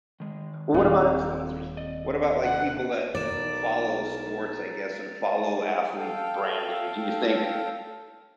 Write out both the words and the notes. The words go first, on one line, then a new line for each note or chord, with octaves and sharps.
Well, what about influencers? What about, like, people that follow sports, I guess, and follow athlete branding? Do you think
D#3 G#3
D#1 C4 G#4 A4 F5
D5 D#5
C3 C#4 A4 F#5
B1 A#4 D5 A6 E7
A4 F5 G5